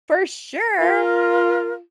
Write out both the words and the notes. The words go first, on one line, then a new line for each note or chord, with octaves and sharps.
For sure!
F4 A#4